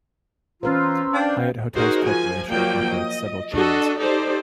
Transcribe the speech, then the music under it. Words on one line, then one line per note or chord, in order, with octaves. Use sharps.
Hyatt Hotels Corporation operates several chains.
E3 C#4 F4 B4 C5 A#5 C6 E6
D4 F5 G5
D#4 F#4 G#4 A#4 C5
F3 G#5
F3 F#3 A#3 D5 G5
D#5
D4 F#4 A4 D#5
D#4 G4 A4 C5 D5